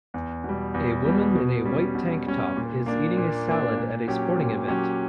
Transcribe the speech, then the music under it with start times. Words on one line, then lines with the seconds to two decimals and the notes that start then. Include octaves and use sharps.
A woman in a white tank top is eating a salad at a sporting event.
0.14 E2
0.44 B2 G3
0.74 E2
1.05 B2 G3
1.35 B2
1.65 G3 C#4
1.95 B2
2.26 G3 C#4
2.56 A#2
2.86 A#3 D4
3.17 A#2
3.48 A#3 D4
3.77 A#2
4.08 F#3 C#4 G4
4.38 A#2
4.68 F#3 C#4 G4